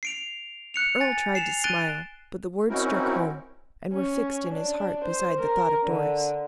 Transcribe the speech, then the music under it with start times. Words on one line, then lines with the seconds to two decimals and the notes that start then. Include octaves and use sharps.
Earle tried to smile, but the words struck home, and were fixed in his heart beside the thought of Doris.
0.03 C7 D7 F7
0.74 F#6 C#7 F7
1.00 G#5 A6
1.35 C7 E7 F7
1.64 F#6 A6 D7 D#7 G7
2.70 C4 C#4 D#4 E4 F#4 A#4
3.93 C#4
4.50 D4
5.04 C5
5.39 A#4
5.84 D3